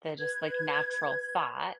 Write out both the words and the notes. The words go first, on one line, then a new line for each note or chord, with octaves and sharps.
the just, like, natural thought,
B4 G#6